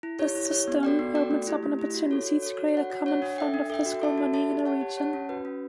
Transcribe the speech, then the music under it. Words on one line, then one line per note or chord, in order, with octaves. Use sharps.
This system opens up an opportunity to create a common fund of physical money in our region.
E4
G4 C#5
E4
G4 C#5
B3
F#4 A4 D5 G5
B3
F#4 A4 D5 G5
A3
E4 G4
A3
E4 G4
F#4
A4 C#5
F#4
A4 C#5
F#4
C#5 F#5
F#4
C#5 F#5
D4
A4 E5 G5
D4
A4 E5 G5
F#4
A4 E5 A5
F#4
A4 E5 A5
G4
C#5 F#5 A5
G4
C#5 F#5 A5
C#4
F#4 B4
C#4